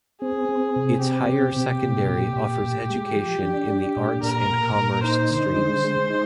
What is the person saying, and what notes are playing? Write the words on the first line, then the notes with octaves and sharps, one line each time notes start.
Its higher secondary offers education in the Arts and Commerce streams.
C4 G#4
C4
C3
C4 G4
C3
C3
A#2
A#2
A#2
A#2
G#3
F3
D4
D4
A#2
A#2 A#4
A#2
A#2
D#4 C5
D3
G#3
G#3
D#4